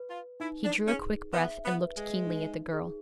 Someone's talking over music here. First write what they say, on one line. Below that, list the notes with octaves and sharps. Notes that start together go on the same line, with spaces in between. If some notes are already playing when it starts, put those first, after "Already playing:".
He drew a quick breath and looked keenly at the girl.
Already playing: B4
F4
D#4 E4
D4
C#4 G#4
B3 E5
B3
B4
G#3
D#4
G#4